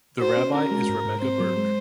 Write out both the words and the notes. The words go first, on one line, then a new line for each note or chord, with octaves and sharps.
The Rabbi is Rebecca Birk.
F#4 C5
C#4
C#4 A#4
G#3
G#2
G#2
C4 C5
F#3
G#3